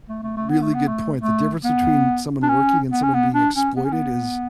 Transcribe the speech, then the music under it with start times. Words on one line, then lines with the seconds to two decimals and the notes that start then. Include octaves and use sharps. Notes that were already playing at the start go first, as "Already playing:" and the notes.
really good point. The difference between someone working and someone being exploited is
0.09 A3
0.23 A3
0.37 A3
0.50 B3
0.62 A3
0.75 B3
0.88 A3
1.22 A3
1.64 B3
2.43 D4
2.49 C#4
2.92 B3
3.03 C#4
3.14 B3
3.34 D4
3.56 C#4
3.77 B3
3.85 C#4
3.92 B3